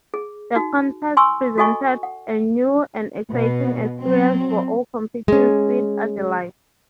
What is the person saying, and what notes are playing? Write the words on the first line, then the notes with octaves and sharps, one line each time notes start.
The contest presented a new and exciting experience for all competing Sweet Adelines.
G#4
D#4 F#4
G#5 C6 C#6 E6
F#4 A4 D#5 G#5 C#6
F#5
B2
F#3 C4
G#3 C#4